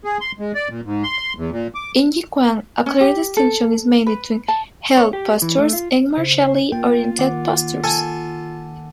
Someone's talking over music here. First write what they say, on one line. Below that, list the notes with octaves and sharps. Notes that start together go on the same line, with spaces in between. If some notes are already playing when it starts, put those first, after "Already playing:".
In Yiquan, a clear distinction is made between "health" postures and "martially oriented" postures.
G#4
C6
G#3
D5
A#2
G#2
C6
E2
A#2
D6
C#4
G4
A4
B4
A5
C#5
G4
E3
A3
F4
C#3 C5
A#3 F4 G5
D#3 F#5 D6
A4 G#5